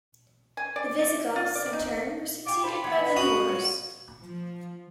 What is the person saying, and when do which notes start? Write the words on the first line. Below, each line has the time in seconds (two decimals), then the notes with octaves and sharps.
The Visigoths, in turn, were succeeded by the Moors.
0.57 G#5
0.76 D5
0.99 D5
1.36 F4
1.55 D5
1.73 D#4
2.46 F4 G4 D6
2.64 A4 C5 B5
2.84 E3 A3 B3
3.16 C#3 F#4 B4 F5 D#6
3.48 F#3 F4
4.21 F3